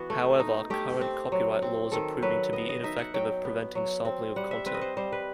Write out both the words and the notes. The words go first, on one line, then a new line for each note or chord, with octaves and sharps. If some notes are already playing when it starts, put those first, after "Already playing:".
However, current copyright laws are proving to be ineffective at preventing sampling of content.
Already playing: E3 B3 F#4
A3
D#4
A3 G4
C4
F#3
C4
D#3 A4
F#3 B4
B3 D#5
D#5
D#4 E5
F#5
F#3 G5
B3
F#3
C4
G3 F#5
E5
C4 B4
D#5
C5
G3 C5
B4